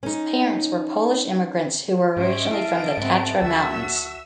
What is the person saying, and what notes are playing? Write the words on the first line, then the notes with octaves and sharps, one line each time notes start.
His parents were Polish immigrants who were originally from the Tatra Mountains.
C#4 D#4
G#2 C#4 G4 C5 C#5 D#5 E5 D7
F#2 C#3 E4 F5 A5
G#2 B3 C4
D2 F#4 E5 E6